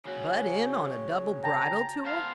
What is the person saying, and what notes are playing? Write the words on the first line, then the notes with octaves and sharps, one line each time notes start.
Butt in on a double bridal tour?
C#3 F#4 C#5
G5 A5 A#5
B3 C5 F5